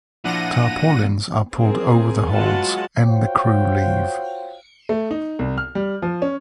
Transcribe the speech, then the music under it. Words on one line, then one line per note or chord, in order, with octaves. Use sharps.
Tarpaulins are pulled over the holds and the crew leave.
A#2 F3 D4 E4 F4 F#5 A#6 D#7
C4 G#4 A#4
F#3 G#3 F4 B4 F#5 A5
F4 F#4 C5 C#5 F5 G5
A3
D#4
C2
F6
G3
F3
C#4